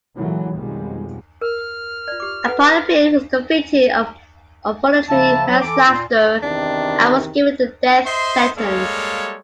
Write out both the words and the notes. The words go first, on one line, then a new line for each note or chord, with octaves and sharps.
Upon appeal, he was convicted of voluntary manslaughter and was given the death sentence.
A#2 D3 E3 F#3 G#3
B1 F2 B2 D#3 G3 G#3
A#4 F6
F4 D5
G4 D6
A4 B4 F#5
C#3 F3 A#3 E5 A5
F#3
E3 A4 D6
A#2 F4
E2 C3 D#3 D4
C5 D#5 E5 C6
G3 G#3 A#3 A4 C#5 F5